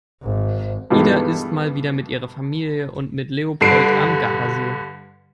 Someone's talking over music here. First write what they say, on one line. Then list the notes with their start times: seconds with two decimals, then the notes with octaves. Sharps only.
Ida ist mal wieder mit ihrer Familie und mit Leopold am Gardasee.
0.23 G#1
0.90 G2 B2 D#3 E3 G#3 A3
3.61 G2 D3 C7 D7